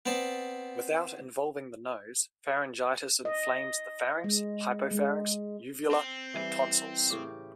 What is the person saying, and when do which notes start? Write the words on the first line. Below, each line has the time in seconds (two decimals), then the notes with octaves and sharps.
Without involving the nose, pharyngitis inflames the pharynx, hypopharynx, uvula, and tonsils.
0.06 B3 C4 D5 A5
3.25 D#5
4.24 G#3
4.91 G#3
5.91 C4
6.34 E3 G3
7.10 A2 C#3 G4